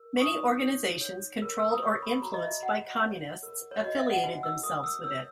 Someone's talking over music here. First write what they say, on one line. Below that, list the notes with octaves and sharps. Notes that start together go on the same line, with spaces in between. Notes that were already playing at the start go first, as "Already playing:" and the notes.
Many organisations controlled or influenced by Communists affiliated themselves with it.
Already playing: A#4
C#6
D#4 D#6
C#5
C#5
A#4
E6
D#6
C#5 C#6
B5
F#4 A#5
D#5
E5
F#4 F#5
C#5
A#4
C#5
F#4 D#5
E5
F#5
F#4 G#5
E6
A#4 D#6
E6
C#5 E6